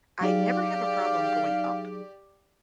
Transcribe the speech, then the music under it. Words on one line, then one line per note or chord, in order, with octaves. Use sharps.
I never have a problem going up.
F#3 D#4 G4 G#4 D5 F5